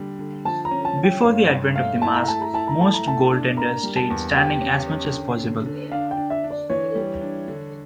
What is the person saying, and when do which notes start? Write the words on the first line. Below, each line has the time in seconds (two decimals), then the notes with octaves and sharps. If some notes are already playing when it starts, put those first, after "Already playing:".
Before the advent of the mask, most goaltenders stayed standing as much as possible.
Already playing: D3 G3
0.19 D3
0.45 F3 A5
0.65 A#5
0.71 C#4
0.85 A5
0.98 C#4
1.04 G5
1.24 G2 F5
1.50 G2
1.75 A3 F5
2.02 E4 A5
2.14 A#5
2.28 A3 A5
2.41 A#5
2.53 E4 A5
2.67 A#5
2.80 A3 A5
2.94 A#5
3.05 A3 A5
3.31 D4
3.57 A#3 A#5
3.83 G3
3.96 A5
4.10 E2
4.31 F5
4.35 G4 G5
4.61 C#4
4.88 C#4
5.13 D3
5.40 D3
5.66 D3
5.92 D4 F5
6.11 G5
6.17 D4
6.30 E5
6.44 D4
6.50 D5
6.70 E3 C#5
6.95 G3
7.21 D4
7.48 D3